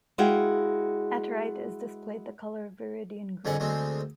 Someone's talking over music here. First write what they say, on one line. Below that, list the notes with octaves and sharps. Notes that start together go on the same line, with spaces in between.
At right is displayed the color viridian green.
G#3 E4 F#4 G#4 F5 G5
F2 G#2 D3 F#5 G#5
D2 G#3 C4